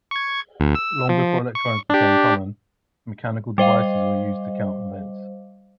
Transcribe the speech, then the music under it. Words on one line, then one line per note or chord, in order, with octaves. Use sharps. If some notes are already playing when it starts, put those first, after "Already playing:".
Long before electronics became common, mechanical devices were used to count events.
C#6 G#6
D2
E6
F3
C#6
D4 G4
G3 C5 D#5 F5